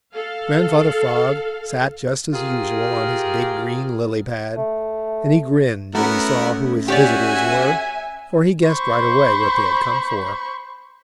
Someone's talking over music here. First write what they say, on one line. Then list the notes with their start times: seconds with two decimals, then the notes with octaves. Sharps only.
Grandfather Frog sat just as usual on his big green lily-pad, and he grinned when he saw who his visitors were, for he guessed right away what they had come for.
0.14 A4 F5
2.34 F4 G4 G#4 A#4
4.57 A3
5.95 A3 B3 C#4 E4 F#4 A#4
6.88 F#4 G4 C#5 D5 E5 G#5
8.66 C5 B5 C#6